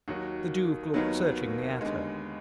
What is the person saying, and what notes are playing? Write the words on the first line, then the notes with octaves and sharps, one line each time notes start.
The Duke looked searchingly at her.
D#2 D#3 F#3 D#4 F#4
D#2 D#3 F#3 B3 D#4
D#2 D3 G#3